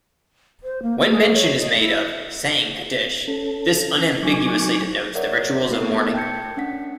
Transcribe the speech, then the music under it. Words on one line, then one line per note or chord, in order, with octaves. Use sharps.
When mention is made of "saying Kaddish", this unambiguously denotes the rituals of mourning.
C5
A#3
B3
G#4
C#5
D#5
E4
C#4 A4
F#3 D#4 G#5 C#6 D6
A#4 C#5 D5 E5 F#5
A3 B3 D#4 A4 A#4 C7
G5 A5 G6 G#6 C#7
C#4 D4 F#5 B6